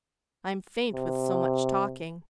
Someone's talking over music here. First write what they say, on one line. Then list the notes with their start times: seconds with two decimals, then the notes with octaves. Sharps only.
I'm faint with so much talking.
0.93 C3